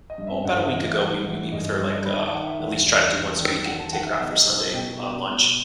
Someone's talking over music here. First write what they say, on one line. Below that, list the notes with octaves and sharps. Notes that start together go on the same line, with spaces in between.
oh, about a week ago, we we meet with her like, uh, at least try to do once a week and take her out for Sunday, uh, lunch.
D#5
G2
E5
G1 F#5
E5
E3 D#5
E5
G2 F#5
E3
G1 D#5
G2 D#5
D#3 B5
A5
D#3 F#5
E5
E1
E1
E1
D#3
E1 F#5
A5
D#3 F#5
E5
B1 D#5
D#5
B1 C5
D#5
B2 G5
B2
B2